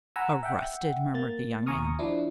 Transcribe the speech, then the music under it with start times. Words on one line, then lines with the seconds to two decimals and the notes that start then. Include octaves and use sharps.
"Arrested!" murmured the young man.
0.16 F#5 G#5 A#5 B5 E6
0.43 E5 F#5 G5
1.14 A#3 A6
1.66 D#2 G#5 A#5 C#6 D#6 F6
1.99 F3 D4 E4